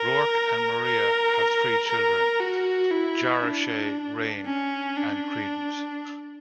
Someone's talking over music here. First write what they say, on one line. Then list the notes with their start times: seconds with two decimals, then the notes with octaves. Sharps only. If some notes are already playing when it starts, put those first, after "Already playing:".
Roark and Maria have three children: Jara Shea, Reign, and Credence.
Already playing: A#4
0.85 A#4
1.87 A#4
2.40 F#4
2.90 E4
3.42 D4
4.45 C#4
4.97 D4